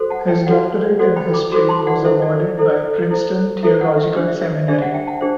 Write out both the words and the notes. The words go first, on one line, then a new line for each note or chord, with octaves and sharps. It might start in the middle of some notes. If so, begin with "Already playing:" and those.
His doctorate in history was awarded by Princeton Theological Seminary.
Already playing: F#4 A4 C5
F#5 A5
E5 G5
F#4 A4 C5 D5 F#5
F#4 A4 C5 D5 F#5
G5 B5
B5 D6
F#4 A4 C5 B5 D6
A5 C6
D5 F#5
E4 A4 C5 E5
D5
D5
E4 A4 C5
E4 A4 C5
E4 A4 C5 E5
D5 F#5
E5
D4 G4 C5 D5
E5
E5
D5
D4 G4 C5 E5
D5 F#5
E5 G5
F#5 A5
D4 G4 C5